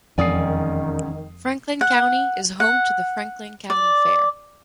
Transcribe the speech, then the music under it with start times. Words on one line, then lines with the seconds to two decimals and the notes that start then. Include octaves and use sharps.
Franklin County is home to the Franklin County Fair.
0.18 E1 F2 D#3 C#4 D5 G#5 D#6 C7
1.81 F#5
2.60 F#5
3.70 D5